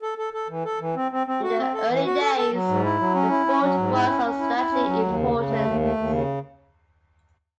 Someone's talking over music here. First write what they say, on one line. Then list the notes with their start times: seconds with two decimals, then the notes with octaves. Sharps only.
In the early days, the fort was of strategic importance.
0.02 A4
0.18 A4
0.33 A4
0.49 E3
0.65 A4
0.80 E3
0.96 C4
1.12 C4
1.27 C4
1.43 F#4
1.59 C4
1.74 A4
1.90 E3
2.06 F#4
2.21 A4
2.36 A4
2.52 F#3
2.68 G#2
2.84 E4
2.99 F#3
3.15 C#4
3.30 E4
3.46 C#4
3.61 F#3
3.77 G#2
3.93 E4
4.09 C#4
4.24 C#4
4.40 E4
4.56 E4
4.71 C#4
4.86 F#3
5.02 D#2
5.18 C#3
5.33 C#3
5.49 A3
5.64 D#2
5.81 A3
5.96 D#2
6.12 C#3